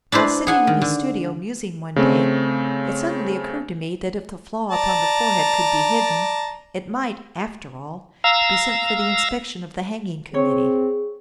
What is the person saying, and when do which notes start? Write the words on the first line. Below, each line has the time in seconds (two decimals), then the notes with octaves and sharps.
While sitting in his studio musing one day, it suddenly occurred to me that if the flaw upon the forehead could be hidden, it might, after all, be sent for the inspection of the hanging committee.
0.12 D4 E4 B4 C5
0.47 G#4 F#5 G#5
0.67 D#3
0.82 D3
1.96 C#3 A3 C4
4.71 D5 A5 A#5
8.24 F5 A#5 E6
10.34 C4 G#4 C#5